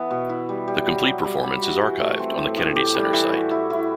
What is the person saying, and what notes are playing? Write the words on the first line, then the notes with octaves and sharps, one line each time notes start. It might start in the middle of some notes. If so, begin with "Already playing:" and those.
The complete performance is archived on the Kennedy Center site.
Already playing: E3 B3
B2
E4
G3
G3
F#3
F#3
G3
G3
F#4
E3
A3
C4
A2
A2
G4
G3
E3
F#4
E4
E4